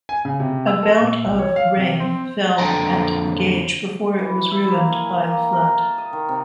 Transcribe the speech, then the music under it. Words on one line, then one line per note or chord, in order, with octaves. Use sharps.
About of rain fell at the gauge before it was ruined by the flood.
G#5
C#3
C3
E6
A4
A#2
C2
C#5
F5
C3
C4
F2 D3 G5 A5 A#5
E3
E4
A#3
G#5
G5
A#3
A#4
A5
D#5
D#3
C3